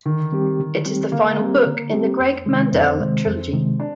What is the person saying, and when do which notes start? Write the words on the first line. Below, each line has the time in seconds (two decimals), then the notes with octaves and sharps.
It is the final book in the Greg Mandel trilogy.
0.06 D3 D#3
0.33 G3 C4 G4
0.60 D3
0.86 G3 C4 G4
1.12 D3 A#3
1.39 G3 C4 G4
1.66 D3
1.92 G3 C4 G4
2.19 F2
2.46 C3 D#3 G#3
2.72 F2 C4
3.00 C3 D#3 G#3
3.26 F2
3.53 C3 D#3 G#3
3.80 D4